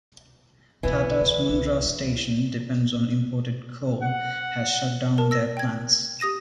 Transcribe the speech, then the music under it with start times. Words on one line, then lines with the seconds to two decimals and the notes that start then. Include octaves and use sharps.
Tata’s Mundra station depends on imported coal has shutdown their plants.
0.83 B1 E3 B3 E4
1.21 C#2
1.49 C2
1.84 C#2
4.03 F#5
5.18 A#4 A5
5.31 E6 A#6
5.57 G5 G#6
6.19 G4 D#6 A#6 D#7 E7